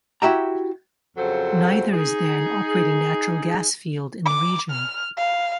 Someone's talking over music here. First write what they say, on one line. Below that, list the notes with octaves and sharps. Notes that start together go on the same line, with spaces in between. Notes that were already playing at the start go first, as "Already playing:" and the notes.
Neither is there an operating natural gas field in the region.
E4 F#4 G4 E5 G5 A#5
F2 C#3 F#3 A4 C5
D#4 G#4
D6
F6
F5